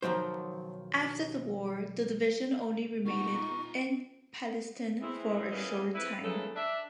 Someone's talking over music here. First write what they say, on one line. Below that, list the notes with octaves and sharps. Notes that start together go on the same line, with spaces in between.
After the war the division only remained in Palestine for a short time.
B1 D#3 F3 F#3 C5
B3 D#4 F4 F#5 C#6
E3 G#3 C4 E4
E2 A#2 E3 C#4 D#5
F2 E4 B4
D#2 C#3 E3 A4
D4 E5